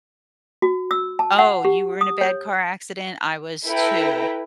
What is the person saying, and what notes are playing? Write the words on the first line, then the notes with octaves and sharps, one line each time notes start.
"Oh, you were in a bad car accident? I was, too,"
F#4
E6
A5
F#5
G4
D#6
C#5
E4 A4 B4 G5 A#5